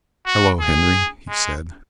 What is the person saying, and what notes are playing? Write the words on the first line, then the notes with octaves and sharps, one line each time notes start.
"Hello, Henry," he said.
F#4
G#4
G#3